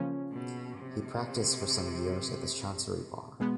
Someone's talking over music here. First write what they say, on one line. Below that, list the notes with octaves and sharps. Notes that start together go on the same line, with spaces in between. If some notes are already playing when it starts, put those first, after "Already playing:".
He practiced for some years at the Chancery Bar.
Already playing: C#3 F3 A#3 C#4
B2
C3
B2 G#3 B3